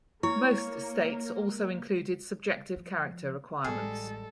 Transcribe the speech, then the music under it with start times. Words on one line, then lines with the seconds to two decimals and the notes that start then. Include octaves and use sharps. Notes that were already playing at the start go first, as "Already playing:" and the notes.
Most states also included subjective character requirements.
0.23 A#3 E4 A#4 C#5 C#6
2.76 F3
3.64 A1 G3 G#3 G#4 A4